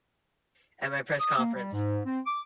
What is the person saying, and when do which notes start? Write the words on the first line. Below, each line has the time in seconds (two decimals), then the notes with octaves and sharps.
At my press conference.
1.20 D#6
1.38 A#3
1.54 G3
1.73 G#2
2.06 C4
2.26 D6